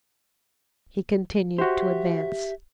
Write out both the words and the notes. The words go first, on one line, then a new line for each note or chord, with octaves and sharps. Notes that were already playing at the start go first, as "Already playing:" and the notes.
He continued to advance.
F#4 G4 C5 E5 G5